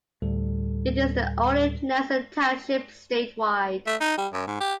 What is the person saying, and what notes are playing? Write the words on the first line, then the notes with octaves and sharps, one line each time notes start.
It is the only Nelson Township statewide.
D2 A2 G3 A4
A3
D#4
G3
F#2
G#2
G4